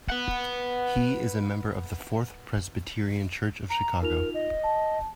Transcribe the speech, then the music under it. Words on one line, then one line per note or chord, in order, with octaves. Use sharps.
He is a member of the Fourth Presbyterian Church of Chicago.
B4 F#5
A#5
D#4 F4 A#4 F7
D#5
A5